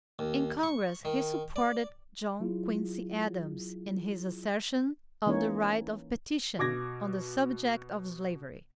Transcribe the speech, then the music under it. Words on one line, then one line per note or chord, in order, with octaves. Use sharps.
In congress he supported John Quincy Adams in his assertion of the right of petition on the subject of slavery.
D#2
C#6
D#3
D5
F#3 E4 F4 G#4
E3 A#3 C#4 D#4 C#5
B2 D6 G#6 A#6